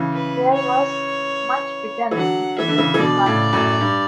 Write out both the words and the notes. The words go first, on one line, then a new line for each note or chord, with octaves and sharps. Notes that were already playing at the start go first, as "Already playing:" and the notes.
There was much bitterness between the two parties.
Already playing: C#3 E3
B4
C#5
E3
D3 F#3 F#5
E3 E5
D3
C#3 E3
E3
B2 D3 D5
A2 C#3
F#2 A2
G2